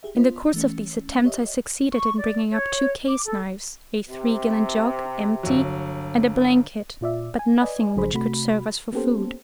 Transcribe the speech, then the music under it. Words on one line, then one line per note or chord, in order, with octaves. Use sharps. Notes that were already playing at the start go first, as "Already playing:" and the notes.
In the course of these attempts I succeeded in bringing up two case-knives, a three-gallon jug, empty, and a blanket, but nothing which could serve us for food.
G4 G#4 E5
B3 F4 C5 D#5
E3 A3 C#4
G4 C#5 D#5 E5
C#6
D5
C#5
D6
A4
C3
G1 F#3
A#2 F4 D5 E5
G#5
B4 D5 D#5 G#5
A1 D3 F#3 G#4 C5 B5
C3 A3 F#4 B5
A#3 B3 C#4 G4 A4 C5